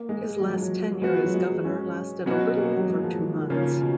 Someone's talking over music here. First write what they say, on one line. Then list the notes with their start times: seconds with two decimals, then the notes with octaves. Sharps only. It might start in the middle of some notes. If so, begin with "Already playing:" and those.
His last tenure as Governor lasted a little over two months.
Already playing: A#3
0.09 G#3
0.41 F#3
0.50 F3
0.59 F#3
0.95 F#3
1.02 F3 G#3 B3 F#4
1.25 F#3
1.34 G#3
1.64 C#4
2.26 B2 F#3 B3 C#4 F#4
2.57 A#3
2.77 F#3
2.88 G#3
3.04 F3
3.18 D#3
3.35 D#3
3.50 C#3 F3 A#3 C#4 F4
3.81 B2